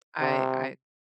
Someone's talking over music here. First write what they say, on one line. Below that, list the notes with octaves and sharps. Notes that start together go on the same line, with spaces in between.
I I
C3